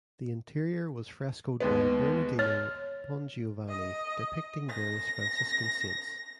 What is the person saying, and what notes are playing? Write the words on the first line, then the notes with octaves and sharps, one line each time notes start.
The interior was frescoed by Bernardino Bongiovanni depicting various Franciscan saints.
D#2 G#3 B3
C#5 F6
D#5
A#6